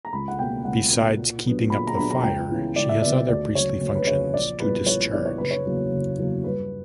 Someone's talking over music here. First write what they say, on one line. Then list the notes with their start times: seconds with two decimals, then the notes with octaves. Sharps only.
Besides keeping up the fire she has other priestly functions to discharge.
0.05 A#5
0.13 C#2 B5
0.28 F#5
0.39 B2 A#3 G5
0.65 C#2 F#5
0.92 B2 A#3
1.18 A#2
1.45 F#3 B3 D4
1.70 A#2 B5
1.87 A#5
1.97 F#3 B3 D4 B5
2.11 A#5
2.23 C#2 G5
2.50 C#3 E3 B3
2.76 C#2 D5
2.89 E5
3.02 C#3 E3 B3 D5
3.28 D2 D5
3.54 C#3 F#3 C#5
3.81 D2
3.95 B4
4.07 C#3 F#3 C#5
4.34 A#1 D5
4.60 A#2 G3 B3 E4 B4
4.86 A#1 C#5
5.13 A#2 G3 B3 E4 D5
5.26 C#5
5.38 F#1 B4
5.51 C#5
5.66 E2 C#3 F#3 A#3
5.91 F#1
6.18 E2 C#3 F#3 A#3
6.44 G2 B4